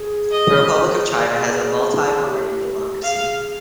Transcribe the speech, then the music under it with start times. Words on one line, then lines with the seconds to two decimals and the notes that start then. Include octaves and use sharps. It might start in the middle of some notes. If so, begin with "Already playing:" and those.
The Republic of China has a multi-party democracy.
Already playing: G#4
0.32 D#5
1.48 G#4
2.26 G4
3.02 G#4 F5